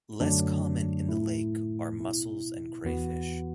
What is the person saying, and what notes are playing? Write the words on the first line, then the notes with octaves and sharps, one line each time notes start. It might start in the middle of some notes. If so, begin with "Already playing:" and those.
Less common in the lake are mussels and crayfish.
F#2 D3 F#3 A3 D4
A2 A3 E4
B2 B3 E4
E2 E3 B3 F#4